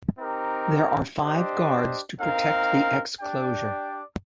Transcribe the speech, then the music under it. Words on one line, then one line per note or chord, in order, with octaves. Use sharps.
There are five guards to protect the exclosure.
C4 D#4 G4 A#4
D4 G4 C5 D#5
C4 D#4 A#4 F5
D4 G4 D5 G5